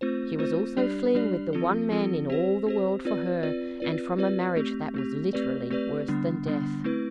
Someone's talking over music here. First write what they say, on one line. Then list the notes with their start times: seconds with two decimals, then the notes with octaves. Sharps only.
She was also fleeing with the one man in all the world for her, and from a marriage that was literally worse than death.
0.01 A3 C4 F4 C5
0.39 A3 C4 F4 C5
0.77 G3 D4 G4 D5
1.15 G3 D4 G4 D5
1.53 F3 C4 F4 A4
1.91 F3 C4 F4 A4
2.30 C4 G4 C5
2.67 C4 G4 C5
3.05 C4 F4 B4 D5
3.43 C4 F4 B4 D5
3.80 C4 F4 B4 D5
4.18 C4 F4 B4 D5
4.56 A3 C4 G4
4.94 A3 C4 G4
5.33 A3 C4 G4 B4 D5
5.70 A3 C4 G4 B4 D5
6.08 D3 G3 B3 D4
6.46 D3 G3 B3 D4
6.84 A3 C4 E4 B4